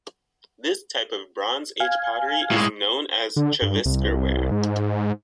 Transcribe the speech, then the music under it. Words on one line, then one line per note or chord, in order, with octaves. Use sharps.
This type of Bronze Age pottery is known as "Trevisker ware".
F5 G#5
A2 G#3
D3
G2
C2
G#2